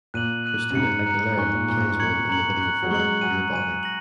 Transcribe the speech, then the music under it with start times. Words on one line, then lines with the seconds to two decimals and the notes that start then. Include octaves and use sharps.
Christina Aguilera plays one in the video for "Your Body".
0.14 A#2 F#6 D#7 F#7
0.46 F#6 D#7 F#7
0.70 F#2
0.75 G#2 A#5 F#6 C#7
1.06 A#5 F#6 C#7
1.37 G#2 G#5 C#6 F#6
1.53 A#2
1.68 A#2 G#5 C#6 F#6
1.81 G#2
1.94 A#2
1.99 A#5 C#6 G#6 C#7 F#7
2.29 A#5 C#6 G#6 C#7 F#7
2.61 C#6 F#6 C#7 F#7
2.83 F#3
2.91 G#3 C#6 F#6 C#7 F#7
3.21 F#3 G#5 F#6 D#7
3.52 G#5 F#6 D#7
3.83 A#6 F#7